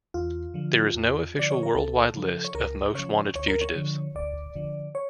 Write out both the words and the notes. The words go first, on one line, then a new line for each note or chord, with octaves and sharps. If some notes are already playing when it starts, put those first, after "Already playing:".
There is no official worldwide list of most wanted fugitives.
E2 F4
D3 F3
E2
D3 F3 D5
C#5
A#4
C#2 A4
C#3 F3
C#5
C#2 A#4
C#3 F3 C#5
D2 C#5
A#4
C#5
D3 F3
D2 D5
D3 F3
C#5